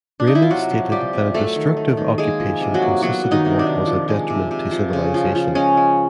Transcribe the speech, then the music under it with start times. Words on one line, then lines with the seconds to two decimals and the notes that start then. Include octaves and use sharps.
Raymond stated that a destructive occupation consisted of what was a detriment to civilization.
0.20 D4
0.27 D#4
0.35 E4
0.42 F4
0.50 C3 F#3 F#4
0.71 F3
0.92 F3 G3 G4
1.13 C3
1.34 F#3 A3 A4
1.56 D#3
1.77 D#3
1.97 D#3
2.18 G#3 A#3 G#4
2.40 F3
2.60 C3
2.74 F#3 F#4
2.82 A#3
3.03 F#3 B3 F#4
3.24 F#3
3.31 D#3 D#4
3.45 C3
3.59 D4
3.66 D#3
3.87 F3
4.08 G#3
4.30 C3
4.51 C3
4.71 F3
4.93 C#3
5.14 F3
5.35 F3
5.55 G#3 C#4
5.77 G#3